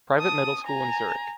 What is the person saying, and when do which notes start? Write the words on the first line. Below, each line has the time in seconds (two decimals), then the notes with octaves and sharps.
Private middle school in Zurich.
0.15 A5 D#6
0.64 G#5 A#5